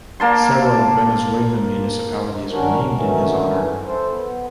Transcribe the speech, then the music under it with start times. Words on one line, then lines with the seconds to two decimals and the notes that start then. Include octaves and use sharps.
Several Venezuelan municipalities are named in his honor.
0.20 A#3 A5 C6
2.51 F#2 D#3 C#4 D4 F#4 A#4
2.94 D#3 E3 F#3 A3 C#4
3.85 A4 C5
4.07 B3